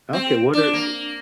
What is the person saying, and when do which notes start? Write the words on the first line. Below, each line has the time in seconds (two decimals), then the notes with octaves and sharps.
Okay, what are
0.13 C4
0.53 D4
0.73 A#3